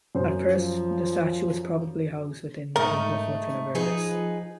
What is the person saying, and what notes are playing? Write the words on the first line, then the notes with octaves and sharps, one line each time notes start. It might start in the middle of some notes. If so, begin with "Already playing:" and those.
At first, the statue was probably housed within the temple to Fortuna Virilis.
F#2 C5
F3
G#2 A3 D#4 A#4
F3 D#4 G#4 B4